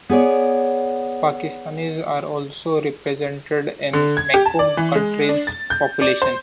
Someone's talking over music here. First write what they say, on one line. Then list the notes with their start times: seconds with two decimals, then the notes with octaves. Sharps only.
Pakistanis are also represented in Macomb County's population.
0.09 B3 G#4 C#5 D5
3.93 D3
4.17 G#6
4.34 G4
4.45 A5
4.59 D5
4.77 E3
4.95 G#3
5.29 D4
5.47 A6
5.70 G6
6.01 D5
6.22 C5